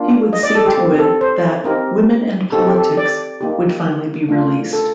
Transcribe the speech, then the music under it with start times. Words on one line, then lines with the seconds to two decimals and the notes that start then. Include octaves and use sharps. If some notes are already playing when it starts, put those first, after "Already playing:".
He would see to it that "Women and Politics" would finally be released.
Already playing: A#3 D4 F4
0.33 D#5
0.43 D5
0.55 A4
0.66 G4
0.77 C4 G4
0.99 A4
1.21 C5
1.64 C4 D#4 G4 A#4
2.52 C4 D#4 G4 A4
2.67 G4
2.76 A4
2.97 D5
3.41 A#3 D#4 G4
4.29 A3 D4 F4
4.73 A4